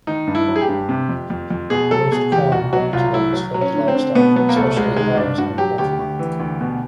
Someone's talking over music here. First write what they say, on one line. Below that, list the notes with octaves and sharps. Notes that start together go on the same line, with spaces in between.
Most corn grown today is fed to livestock, especially hogs and poultry.
D#3 D#4
G2
E4
F#3
G#4
G4
G2
C3
F2
F2
F2
B2 G#4
F#3 A4
B2 G#4
E2 G4
C2 F#4
F#3 F#4
C2 F4
F#3 E4
F#3
F#3
C#4
D3
C4
D3
B2 B3
F#3 B3
A#3
C2 A3
C2 G#3
D#3 G#3
G2 D4
G2 F#4
F#3 G4
D2 G4
D2
E3
D2
B2